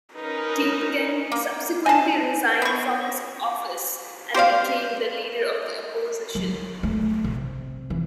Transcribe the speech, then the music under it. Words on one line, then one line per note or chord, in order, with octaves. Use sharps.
Diepgen subsequently resigned from his office and became the leader of the opposition.
C#4 D#4 A#4 B4
A#3
G#5 A5
B3 C#6
G4 C5 D5 F5
F#3
A3
C3
E3